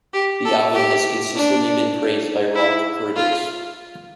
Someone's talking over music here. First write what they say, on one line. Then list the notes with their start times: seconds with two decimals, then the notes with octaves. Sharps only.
The album has consistently been praised by rock critics.
0.14 G4
0.45 A4
0.74 G4
1.35 D4
2.55 E4
3.16 F4